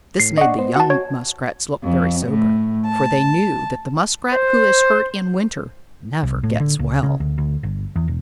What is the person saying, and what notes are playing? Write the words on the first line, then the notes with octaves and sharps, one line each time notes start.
This made the young Muskrats look very sober, for they knew that the Muskrat who is hurt in winter never gets well.
A2 C7
D4 D5 D#5 F#5 C#6
B3 C5
F#4 F#5 A5
C#5
F2
A2
A5
C5
C2
A2
D3
C#2
C#3
D2
D2
G1
E2
E1